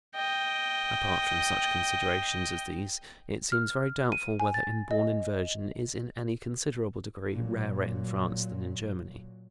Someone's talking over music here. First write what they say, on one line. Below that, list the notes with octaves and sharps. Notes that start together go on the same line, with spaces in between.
Apart from such considerations as these it seems very doubtful whether inborn inversion is in any considerable degree rarer in France than in Germany.
D#5 G5
F6
D#7
G#5
A6
D#5
A#2 F#3